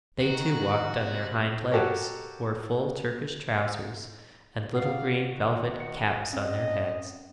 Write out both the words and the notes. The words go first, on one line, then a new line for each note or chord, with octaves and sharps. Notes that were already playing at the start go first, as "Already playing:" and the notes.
They too walked on their hind legs, wore full Turkish trousers, and little green velvet caps on their heads.
D#3 F#4
C3 G3
F#4 G4 A4 A#4 C#5
A#1 F4 D5 F5 F#5 C7
D#3 F3 F#4
C#7
C4 C#4 D#5